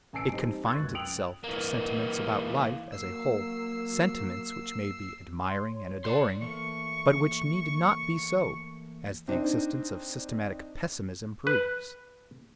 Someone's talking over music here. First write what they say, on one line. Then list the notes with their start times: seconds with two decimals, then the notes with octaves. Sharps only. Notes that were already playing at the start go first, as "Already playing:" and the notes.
It confines itself to sentiments about life as a whole, sentiments which may be admiring and adoring, but which need not be so, as the existence of systematic pessimism proves.
0.13 A1 G#5 A5 E6 C7 D7
0.32 G3 C4 D#4 C5
0.65 C6 C#6 E6 F#6 G#6 A6
0.80 C#2 F#2
0.95 G5 D#6 E6 D7 F7 F#7
1.44 E3 A#3
2.92 F#3 A#3 E6 C7
5.40 C6
5.70 C#5
6.04 D5 C6
6.41 E3 A3 A#3 C#6
9.28 C4 D4 D#4
11.47 B4